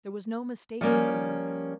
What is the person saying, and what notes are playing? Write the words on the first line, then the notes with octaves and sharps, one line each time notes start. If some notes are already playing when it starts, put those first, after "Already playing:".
There was no mistaking their look.
F3 G3 A#3 C#4